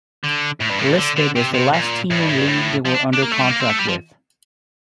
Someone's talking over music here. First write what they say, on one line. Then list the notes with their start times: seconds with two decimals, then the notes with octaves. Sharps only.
Listed is the last team and league they were under contract with.
0.24 D3
0.61 A2
0.70 G2
0.80 A2
0.89 A#2
0.99 D3
1.17 D3
1.36 C3
1.54 C3
1.73 A#2
2.11 A2
2.20 G2
2.29 A2
2.39 G2
2.48 A2
2.85 F3
2.95 D4
3.14 D4
3.22 A#3
3.32 A3
3.42 G3
3.50 A#3
3.60 C4
3.70 A3
3.79 G3
3.88 F3